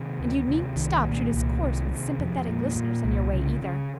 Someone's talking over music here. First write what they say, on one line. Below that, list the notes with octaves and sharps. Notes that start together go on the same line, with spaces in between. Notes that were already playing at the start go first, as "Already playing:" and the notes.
And you needn't stop to discourse with sympathetic listeners on your way, either.
Already playing: C3 D#3
D2
C3
C2 D#3
A#2
C2
C3
C3
F2
A#2
A#2
C2
C#3
C#3